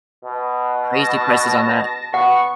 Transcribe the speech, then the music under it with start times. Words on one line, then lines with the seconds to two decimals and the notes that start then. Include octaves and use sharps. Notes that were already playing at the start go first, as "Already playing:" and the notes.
Crazy prices on that.
0.25 B2
0.94 A5 A#6
2.14 B3 F#5 C#6